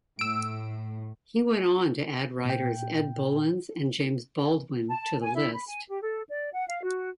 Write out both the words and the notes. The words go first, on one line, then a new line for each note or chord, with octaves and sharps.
He went on to add writers Ed Bullins and James Baldwin to the list.
A2 E6 D7
A#2 G5
A5
G#5
E4
B5
G#5
G4
A4
D5
F#5
F5
F#4